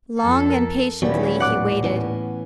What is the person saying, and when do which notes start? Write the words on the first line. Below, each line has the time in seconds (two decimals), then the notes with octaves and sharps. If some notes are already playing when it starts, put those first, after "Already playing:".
Long and patiently he waited.
0.19 F2 A4
0.49 A#4
1.02 D#1 D#3 E3 F#3 B3 C#4 D5
1.40 A2 F#5 D6 F#6
1.84 E3 B3 C#4